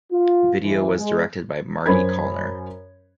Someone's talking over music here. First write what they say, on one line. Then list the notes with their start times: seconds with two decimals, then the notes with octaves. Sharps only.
Video was directed by Marty Callner.
0.12 F4
0.63 A1 G#2 E3
0.98 G#3
1.86 F#2 C#4 A#4 C5 B5 G#6